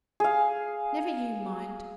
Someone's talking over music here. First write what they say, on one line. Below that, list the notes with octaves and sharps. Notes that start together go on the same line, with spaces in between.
'Never you mind.
G#4 F5